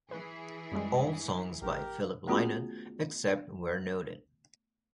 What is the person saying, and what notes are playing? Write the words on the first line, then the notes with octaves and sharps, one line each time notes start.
All songs by Philip Lynott, except where noted.
E3 G#4 B4
F#2 G3 G#3
A1 G4 A#4
A3 B3 C#4 F4 F#4 G#4